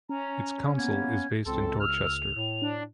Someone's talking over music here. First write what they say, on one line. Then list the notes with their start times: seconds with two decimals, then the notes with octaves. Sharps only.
Its council is based in Dorchester.
0.09 C#4 A#5
0.78 A#3 B3 G#6
1.46 C#2 A2 C4 A4 C6
1.81 E6 F6 F7
2.34 A2
2.62 D4